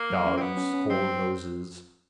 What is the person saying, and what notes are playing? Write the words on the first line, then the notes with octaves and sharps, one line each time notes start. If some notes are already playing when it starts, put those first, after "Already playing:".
Dogs' cold noses.
Already playing: A#3
F#3
C#4
C4
F#3 B3
C#4
C#4
F#3 C4